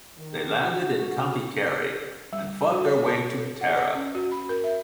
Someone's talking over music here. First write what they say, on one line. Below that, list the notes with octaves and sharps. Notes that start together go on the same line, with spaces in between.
They landed in County Kerry and fought their way to Tara.
D#3
F#4
G3
F#4
C#5
A5
A4
F#5
B4
C#4
F#4
B5
A#4
E5